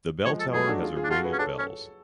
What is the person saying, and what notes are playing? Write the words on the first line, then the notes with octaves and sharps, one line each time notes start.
The bell tower has a ring of bells.
F3 G#3 C#5
A4
F#3 A3 G#4
D4 F#4
F4 G#4
F4 G#4
D4
F4 F#4 A4
G#4 B4
C#4
D4 A4 C#5
C#4